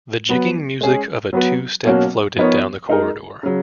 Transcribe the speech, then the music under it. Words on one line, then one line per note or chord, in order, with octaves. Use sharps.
The jigging music of a two-step floated down the corridor.
F#3 B3 F#4 B4
G#3 C#4 G#4
F#3 B3 F#4 B4
B2 F#3 A#3 C#4 F#4
F3 B3 D#4 A#4 C#5
G#3 D#4 A#4
C#3 F#3